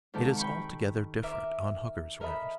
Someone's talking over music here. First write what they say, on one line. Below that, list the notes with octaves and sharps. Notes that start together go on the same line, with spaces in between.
It is altogether different on Hooker's ranch.
G#2 C3 D#3 G4 A4 A5
G5 B5 C#6
A#4 E5 D6
A4 A#4 D#5 E5 B5